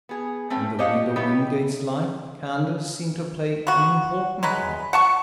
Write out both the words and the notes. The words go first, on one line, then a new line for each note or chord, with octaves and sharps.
In the widow Wingate's life candles seem to play an important part!
B3 G#4
A3 C4 C#4 B4
G4 C5 C#5 D#5 F5 F#5
F#3 B3 E4 G4 B4 C#5
B3 F#4
F#3 G#3 B4
F#5 A5 C#6